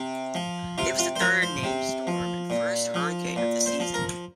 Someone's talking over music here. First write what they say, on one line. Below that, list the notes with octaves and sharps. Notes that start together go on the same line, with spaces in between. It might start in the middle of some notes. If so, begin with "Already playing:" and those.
It was the third named storm and first hurricane of the season.
Already playing: C3
F3
C3 F4
F4
C5
F3 A#4
C5
C3
F3
A#2
F3
A#2
C5
F3
A#4